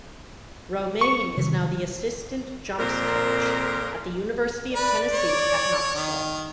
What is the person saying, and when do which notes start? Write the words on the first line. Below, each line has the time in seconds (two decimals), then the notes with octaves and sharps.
Romain is now the assistant jumps coach at the University of Tennessee at Knoxville.
1.01 C#6
1.37 C3 D#3 G3
2.79 F2 A#2 C4 A#4
4.75 B4 D5
5.13 C#5
5.94 D#3